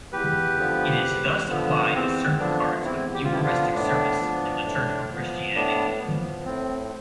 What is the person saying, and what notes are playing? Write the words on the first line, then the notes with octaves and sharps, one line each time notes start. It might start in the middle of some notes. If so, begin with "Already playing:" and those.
It is thus applied to certain parts of the Eucharistic service in liturgical Christianity.
E2 G4 B4
D3 F3 B3
E2
D3 F3 B3
E2 C4
D3 F3 B3 D4
E2 C4 E4
G4
F4
D3 F3 B3 E4 G4
D4 F4
A2 B3 D4
F3 B3
A2
F3 B3
A2 B3 D4
F3 B3
A2 C4